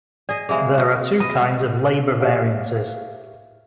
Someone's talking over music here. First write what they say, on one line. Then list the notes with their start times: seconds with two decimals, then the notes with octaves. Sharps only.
There are two kinds of labour variances.
0.29 G#4 D5 D#5
0.49 C3 G#3 A#3 G#4 E5
0.78 F#4
1.20 D#5 B5
2.21 G4 C#5 E5 F5